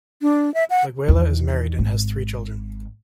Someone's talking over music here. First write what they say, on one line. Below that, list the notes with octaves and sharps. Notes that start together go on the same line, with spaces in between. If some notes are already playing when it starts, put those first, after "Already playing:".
Legwaila is married and has three children.
D4
E5
F#5
E2 D#3
G#1